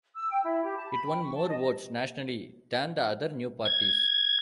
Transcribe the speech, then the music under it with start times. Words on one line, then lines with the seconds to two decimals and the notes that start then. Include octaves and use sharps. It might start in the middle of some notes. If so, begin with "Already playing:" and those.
It won more votes nationally than the other new parties.
0.15 E6
0.29 G5
0.44 E4
0.64 G4
0.77 A5
0.90 B5
1.05 G5
1.22 C#6
1.35 A5
1.47 D#5
3.65 G#6